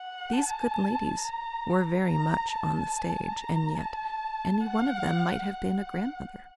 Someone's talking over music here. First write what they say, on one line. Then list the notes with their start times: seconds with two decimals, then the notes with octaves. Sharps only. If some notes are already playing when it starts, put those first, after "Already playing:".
But these good ladies were very much on the stage, and yet any one of them might have been a grandmother.
Already playing: F#5
0.33 A5
1.19 A#5
2.04 A#5
2.47 A5
3.32 A#5
3.75 A5
4.60 F#5
5.46 F#5